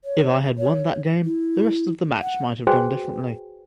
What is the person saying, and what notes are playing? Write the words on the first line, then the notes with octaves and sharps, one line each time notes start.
If I had won that game, the rest of the match might have gone differently.
C#5
C#5
E4
F#5
F#4 G#4 B4 C5 G5 G#5